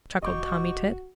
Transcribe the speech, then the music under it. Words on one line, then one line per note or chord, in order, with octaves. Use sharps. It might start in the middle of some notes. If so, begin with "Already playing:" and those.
Chuckled Tommy Tit.
F1 F#4 D#5 C#6 D6 G6